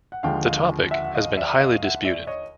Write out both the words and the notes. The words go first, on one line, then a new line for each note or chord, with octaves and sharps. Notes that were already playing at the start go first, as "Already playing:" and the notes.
The topic has been highly disputed.
F#5
D#2 D3 F3 G#3 F5 G5
D#5 F5
E5 F#5
F#5
D#5 F5
D5 E5
D#5 F5
E5 F#5
D5 E5
C#5 D#5